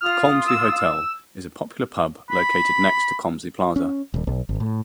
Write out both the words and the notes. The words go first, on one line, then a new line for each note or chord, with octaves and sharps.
The Colmslie Hotel is a popular pub located next to Colmslie Plaza.
F4 D#6 F6
E6
B5
C#4
D#1
B1
G#1
A2